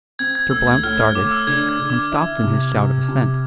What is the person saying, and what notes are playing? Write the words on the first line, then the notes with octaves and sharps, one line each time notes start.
Mr. Blount started, and stopped in his shout of assent.
C4 G#6
G#6
D2 E6
G#6
A2 F6
F6
A2 D6
E6
D3 G#6
G#6
D3
D6
E4
C3
C3
C3